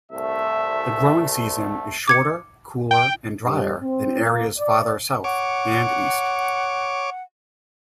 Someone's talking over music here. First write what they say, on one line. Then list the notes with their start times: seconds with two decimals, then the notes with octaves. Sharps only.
The growing season is shorter, cooler, and drier than areas farther south and east.
0.12 C2 A3 E5
2.08 D6 G#6 C#7
2.91 G5
3.44 G2
3.81 C4
4.23 A#3
4.58 D5
5.24 C#5 F#5 D6